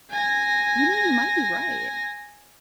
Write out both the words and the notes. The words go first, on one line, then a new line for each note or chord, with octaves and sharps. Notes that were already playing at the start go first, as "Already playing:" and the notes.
You know, you might be right.
G#5 A#6